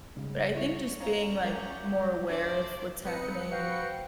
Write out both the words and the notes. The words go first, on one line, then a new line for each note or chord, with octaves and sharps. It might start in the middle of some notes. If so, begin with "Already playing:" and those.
but I think just being, like, more aware of what's happening,
G#2 C#3 G3
E4 C#5 E5
C#4 D#4 C5 C#5 E5 F5 A#5
F#3 G4 A#4
A3 D4 B4 C5 D5 D7
G3 C4 D#4 B4 C#7
F#4 C5 F5 G5